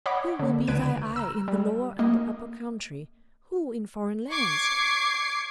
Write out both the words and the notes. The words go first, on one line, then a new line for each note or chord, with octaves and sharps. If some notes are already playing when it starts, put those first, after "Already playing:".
Who will be thy eye in the Lower and the Upper Country, who in foreign lands?
C#5 D#5 F#5 B5 D6
D3 A#3
C#2 D3 B4 G#6 D7 D#7
A#5 E6
G3
A3 A#3 D#5
C#6 D6 G#6 C7 D7